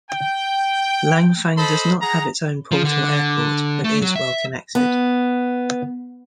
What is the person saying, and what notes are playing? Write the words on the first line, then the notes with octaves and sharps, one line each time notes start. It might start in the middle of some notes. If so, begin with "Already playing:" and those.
Langfang does not have its own port or airport, but is well connected.
G5
A4 C5 D#5 A5 B5
G#4 F#5 A#5
F3
D3
A3
F#3
E5
B3